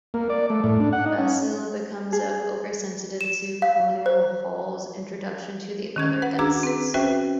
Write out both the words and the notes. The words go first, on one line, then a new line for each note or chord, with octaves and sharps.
Basil becomes oversensitive to Colonel Hall's introduction to the other guests.
A#3
D5
A3
A2
D4
F#5
D#4
C#4
G#4
E7
F5
C5
D#3 C#4 G#6
B4 F#5
D4 F#4 G#4 A#5 E6 G#6
C4 B4
C#4 F#4 B4 C5 E5 G5